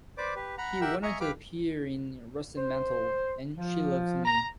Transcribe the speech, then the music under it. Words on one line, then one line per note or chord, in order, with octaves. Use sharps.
He went on to appear in "Russet Mantle" and "She Loves Me".
B4 C5 D5 D6
G4 B4
F#5 A#5 B5
G4 A#4 E5 F#5 G5 E6
D#5 E5 G#5 A#5 C#6
G4 B4 F5 B5 D6
C5
F3
A#5